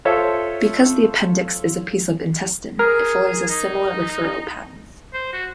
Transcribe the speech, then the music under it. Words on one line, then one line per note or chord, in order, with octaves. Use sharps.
Because the appendix is a piece of intestine, it follows a similar referral pattern.
F4 A4 C5 C#5 E5
G#4 A#4
D#4
C5
F#4